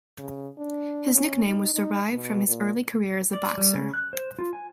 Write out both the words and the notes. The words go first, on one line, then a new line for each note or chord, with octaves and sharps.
His nickname was derived from his early career as a boxer.
C#3
D4
C#4
D#4
D#4
B2
A#2
D5
G3
C#3
F#6
C5
F4
G#5